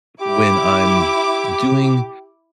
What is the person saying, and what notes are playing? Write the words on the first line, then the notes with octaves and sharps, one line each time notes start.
when I'm doing
E4 G4 D6